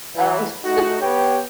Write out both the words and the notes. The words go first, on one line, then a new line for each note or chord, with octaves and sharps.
um, so
E3
A3 D#4 F#4
B3 G4 B4 C#5 G5